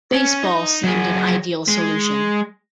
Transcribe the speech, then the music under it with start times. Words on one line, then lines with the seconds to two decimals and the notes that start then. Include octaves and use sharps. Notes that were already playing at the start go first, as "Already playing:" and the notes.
Baseball seemed an ideal solution.
0.13 C#4
0.44 D#4 D#5
0.84 F#3 G#4
1.68 G#3